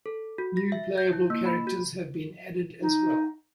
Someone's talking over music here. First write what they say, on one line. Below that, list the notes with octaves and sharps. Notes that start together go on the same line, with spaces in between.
New playable characters have been added as well.
A4
F#4
A#6
E5
G6
E4
A#3
B5
F#4
D#4